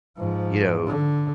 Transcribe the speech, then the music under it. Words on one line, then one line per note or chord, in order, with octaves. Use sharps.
you know,
G#2 F3
D3